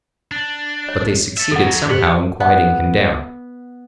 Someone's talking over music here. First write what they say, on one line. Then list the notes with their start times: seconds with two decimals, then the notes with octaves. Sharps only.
But they succeeded somehow in quieting him down.
0.32 D4
0.89 C#5
1.37 A4 E5
1.51 F2 F#3 A4 F#5
1.90 G4 B4 C5 F#5
2.40 B3